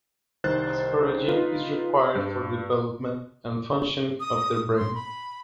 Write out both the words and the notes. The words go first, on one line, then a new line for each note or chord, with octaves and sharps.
Asparagine is required for development and function of the brain.
C2 D#3 C5 F#6 A6
D#4 F4 B4
G2
D#6
C6
B5